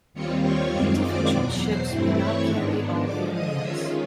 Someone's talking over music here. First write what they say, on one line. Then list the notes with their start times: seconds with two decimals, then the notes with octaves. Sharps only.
Individual ships may not carry all variants.
0.13 D#2 D#3 G3 C4 F4 C#5 C#6
0.42 C#5 C#6
0.71 F#2 D#3 G#3 C4 F4 D5 D6
1.00 D5 D6
1.29 E2 B2 F#3 D5 D6
1.58 C5 C6
1.87 G2 E3 A3 C4 E4
2.15 C#5 C#6
2.45 G#2 D#3 G#3 B3 D4
3.02 D3 F3 G#3 D5 D6
3.31 D#5 D#6
3.60 D#3 G#3 C#4 F4 E5 E6